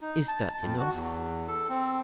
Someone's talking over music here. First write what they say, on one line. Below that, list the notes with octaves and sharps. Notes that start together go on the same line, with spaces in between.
"Is that enough?"
D#4
A5
F2
F#4
E2
A4
C4